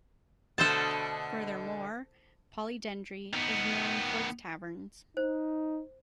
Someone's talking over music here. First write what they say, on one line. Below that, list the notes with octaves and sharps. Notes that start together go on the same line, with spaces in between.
Furthermore, Polydendri is known for its taverns.
B2 D3 A3 A4 C5 A5
D#3 B3
D#4 C5